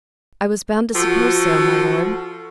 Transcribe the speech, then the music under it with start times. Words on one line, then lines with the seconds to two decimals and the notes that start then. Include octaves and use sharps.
"I was bound to suppose so, my lord."
0.96 F3 F#4 A4